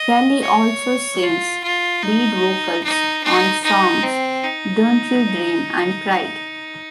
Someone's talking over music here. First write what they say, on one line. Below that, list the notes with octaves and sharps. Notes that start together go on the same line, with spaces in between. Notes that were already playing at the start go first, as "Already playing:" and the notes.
Kelly also sings lead vocals on songs "Don't You Dream" and "Pride".
Already playing: D#5
C#5
F4
F4
D#4
D#4
D#4
D#4
C4
D#4